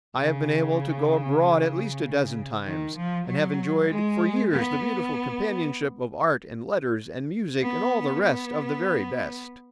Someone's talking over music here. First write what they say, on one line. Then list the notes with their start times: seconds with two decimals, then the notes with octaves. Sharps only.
I have been able to go abroad at least a dozen times, and have enjoyed for years the beautiful companionship of art and letters and music and all the rest, of the very best.
0.17 C#3
2.66 D#3
2.96 F3
3.27 F#3
3.90 G#3
4.51 B3
7.62 B3
8.24 B3